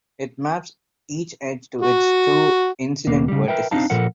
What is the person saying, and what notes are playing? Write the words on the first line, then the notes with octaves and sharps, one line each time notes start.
It maps each edge to its two incident vertices.
F#4
D#2 B2 A#3
C#3 G3
A#4 B4 E5 G5
C4 D4 D#4 F5 A5
A#2 F3 A4 A#4 F#5